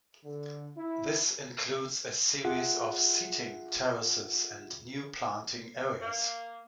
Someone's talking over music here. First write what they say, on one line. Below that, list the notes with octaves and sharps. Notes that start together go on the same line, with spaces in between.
This includes a series of seating terraces and new planting areas.
D3
E4
F4 G#4 E5 F#5
A#3